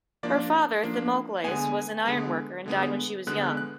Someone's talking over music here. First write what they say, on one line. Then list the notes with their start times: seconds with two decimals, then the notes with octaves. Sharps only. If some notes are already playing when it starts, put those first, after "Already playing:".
Her father, Thimocles, was an iron worker and died when she was young.
0.23 F3 A#3 D4 D5
0.84 F3 A#3 D4
1.44 D3 G#3 B3 G#5
2.05 D3 G#3 B3
2.66 D3 G#3 B3
3.27 D3 G#3 B3 F#6
3.57 F#6